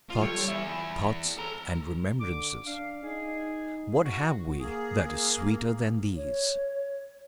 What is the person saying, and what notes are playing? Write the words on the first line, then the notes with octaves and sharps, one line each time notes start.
Thoughts, thoughts and remembrances, what have we that is sweeter than these?
F4
G3 G4 A4 C#5
E2 E5
A4 A#5
D3 D6
D4 F5
D#4 G#4
F#4
A#3 G#4
C#5